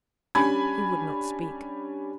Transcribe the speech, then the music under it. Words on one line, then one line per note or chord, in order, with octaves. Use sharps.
He would not speak.
G3 C#4 D4 G#5 B5 G#6